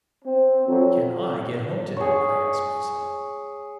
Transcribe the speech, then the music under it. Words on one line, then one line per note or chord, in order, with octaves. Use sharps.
"CAN I get home tonight?" I asked myself.
C4
F2 F#3
G#4 C#5